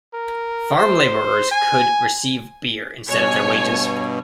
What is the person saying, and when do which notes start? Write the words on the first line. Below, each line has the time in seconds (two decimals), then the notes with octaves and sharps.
Farm labourers could receive beer instead of their wages.
0.13 A#4
0.78 C5
1.51 G#5
3.07 G2 B2 C#5 G#5